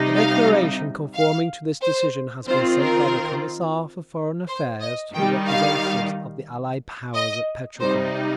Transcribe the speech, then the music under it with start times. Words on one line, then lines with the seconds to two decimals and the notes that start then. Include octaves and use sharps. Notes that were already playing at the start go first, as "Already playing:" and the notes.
A declaration conforming to this decision has been sent by the Commissar for Foreign Affairs to the representatives of the Allied powers at Petrograd.
Already playing: C3 G3 D#4
0.15 F5
1.15 F5
1.81 C5
2.47 D#3 C4 F4 C5
2.81 A#4
4.47 C5
4.80 D#5
5.13 D#3 G3 D#4 G5
5.48 F5
7.14 D#5
7.80 C3 G3 D#4 C5